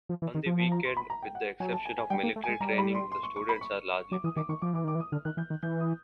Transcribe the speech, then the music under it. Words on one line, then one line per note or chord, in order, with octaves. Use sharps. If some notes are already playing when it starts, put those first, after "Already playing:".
On the weekend, with the exception of military training, the students are largely free.
F3
E3
D#3
F3
A5
A#5
C6
B5
A#5
G5
F#5
F#3 G#5
A5
G#5
G#5
G3 G5
A#3
A3
G#3 G#5
G3 A#5
B5
C6
C6
C#6
C#6
B5
C#6
F#3 D6
E3 D#6
D#3 D6
D#3 C#6
F3 D6
E3 D6
D#3 D6
E3
D#6
D3 F6
D#3 F#6
E3 G6
D#3
E3 G6
D#6